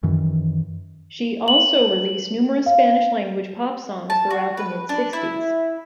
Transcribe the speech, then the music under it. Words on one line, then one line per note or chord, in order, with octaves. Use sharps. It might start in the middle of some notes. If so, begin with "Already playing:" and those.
She also released numerous Spanish-language pop songs throughout the mid-sixties.
F#2 D#3 E3
F#7
F5
A5
F#4
B4
D4
E4